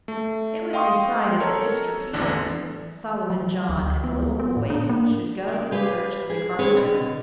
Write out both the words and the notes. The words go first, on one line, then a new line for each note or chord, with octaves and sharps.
It was decided that Mr. Peterkin, Solomon John, and the little boys should go in search of a carpenter.
A3
D#5 F5 G5 C6 C#6 D#6
A4 A#4 C#5
A1 E2 D3 D4
F#3
D2
B3
B3
A2
D4
A#3
C#3 D5
G4 G#4 B4 F5 G#5
G#4
C4 G#4 B4 C#5
B2 D3